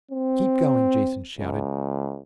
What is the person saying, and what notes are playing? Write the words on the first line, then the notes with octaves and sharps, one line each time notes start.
"Keep going!" Jason shouted.
C4
C#2